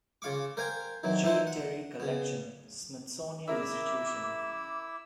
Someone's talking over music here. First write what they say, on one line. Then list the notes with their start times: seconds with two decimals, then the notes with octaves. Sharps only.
J. Terry Collection, Smithsonian Institution.
0.22 C#3 F4 F5 C#6 D6
0.57 A#4 C5 F5 G5 G#5 A#5
1.03 D#3 E3 F#3 C4
1.23 E3 D#4 E4 C5 C6
1.47 F#5
2.00 C#3 B3
3.48 C#3 E4 A#4 E5 D6 E6